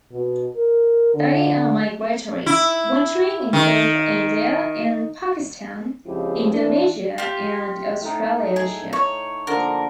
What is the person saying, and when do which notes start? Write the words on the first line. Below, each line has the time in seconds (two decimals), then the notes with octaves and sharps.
They are migratory, wintering in both India and Pakistan, Indonesia and Australasia.
0.12 B2
0.56 A#4
1.14 D3
2.46 E4
3.53 D#3
6.06 C#2 F3 C4 E4 G4 G#4
6.52 E3 D4
7.18 F4 G4
8.01 A2 D#4
8.56 G#4
8.93 C#5
9.47 D3 F3 A#3 A#4